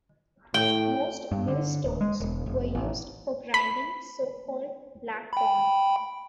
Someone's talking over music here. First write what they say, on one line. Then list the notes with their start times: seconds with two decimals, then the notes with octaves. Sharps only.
Most millstones were used for grinding so called "black corn".
0.54 A2 G5
1.32 G2
1.48 D3
1.84 D#1
2.01 G#3
2.20 E1
2.46 F1
2.75 A1
3.54 B5
5.33 G5 B5